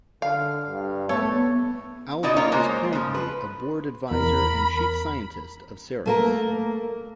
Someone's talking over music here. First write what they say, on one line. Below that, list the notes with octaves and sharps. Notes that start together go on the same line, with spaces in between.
Alvey is currently a board advisor and Chief Scientist of Ceros.
D3 F5
G2
A3 B3 A4 C#5
B2 D#4 E4 F#4 D5 D#5
C#3 A#3 F4 C#5
G#3 A#3 C5 C#5
C#3 F3
B4
E2 A#4 B5
A3 A#3 A#4